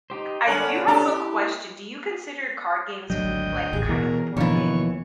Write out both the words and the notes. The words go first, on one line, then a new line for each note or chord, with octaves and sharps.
I do have a question, do you consider card games, like, kind of a board game?
D#4 G4 C5
D3 C#4 F#5 B5
C#4 D4 G4 A4
E4
G#1 D2 F#3 D#5 G5
A1 D#2 G#4
B2 E3 A#4
D#2 B2 D3 E3 F3 C#5